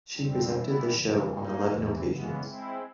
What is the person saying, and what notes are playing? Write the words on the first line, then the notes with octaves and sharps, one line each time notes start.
She presented the show on eleven occasions.
F2 D3 G3 C4
E3 G3 B3 E4
F2 C#3 E3
F3 A#3 D#4
E2 C3 E3
C#3 E3 G#3 B3
G#3 C4 E4